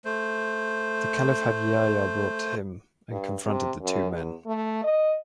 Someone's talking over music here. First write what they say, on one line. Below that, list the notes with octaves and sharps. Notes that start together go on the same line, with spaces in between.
The Caliph had Yahya brought to him and confronted the two men.
A3 C5
G2
C3
F#2
E2
A3
D#5